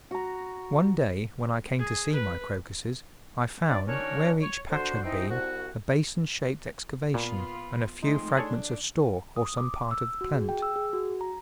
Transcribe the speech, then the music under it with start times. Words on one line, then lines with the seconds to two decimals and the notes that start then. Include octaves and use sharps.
One day when I came to see my Crocuses, I found where each patch had been a basin-shaped excavation and a few fragments of stalk or some part of the plant.
0.11 F#4 A#5
1.79 G#4
2.13 B4
3.68 D4 D5
3.87 D#3 C#4 D4 F#4 A#4 C#5
4.40 C#5
4.69 D3 F#4 C5
5.03 E3 C4 D#4
5.29 C2 F#4
7.14 A#2 B3 F4 B5
8.03 F3 G#3 A3 C4 D#4 C6
8.37 D4 G#4 A4 C#5
9.36 D#6
9.57 D6
9.91 E6
10.21 F#4
10.34 G#4
10.49 G5
10.62 E6
10.76 G#4
10.93 F#4
11.21 A#5